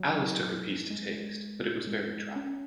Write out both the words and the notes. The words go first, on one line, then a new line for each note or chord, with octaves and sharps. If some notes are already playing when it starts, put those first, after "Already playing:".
Alice took a piece to taste, but it was very dry.
Already playing: F#3
G#3
G#3
C#4